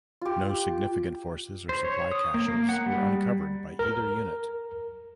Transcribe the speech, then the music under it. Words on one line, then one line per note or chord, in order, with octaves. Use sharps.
No significant forces or supply caches were uncovered by either unit.
F4 G4
C5
C#5
D#6
A#3
A#3
F#5
G3
A#4